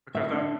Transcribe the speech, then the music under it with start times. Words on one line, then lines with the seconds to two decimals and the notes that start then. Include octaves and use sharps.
because that
0.15 A2 E5
0.33 D4